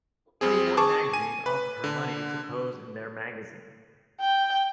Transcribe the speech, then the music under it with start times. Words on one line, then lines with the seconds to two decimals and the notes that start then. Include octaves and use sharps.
Playboy Magazine offered her money to pose in their magazine.
0.41 F2 C4 G#4
0.77 G#4 A5 C#6 D6
1.13 G#5 D#7
1.46 B4
1.84 D3
4.20 G5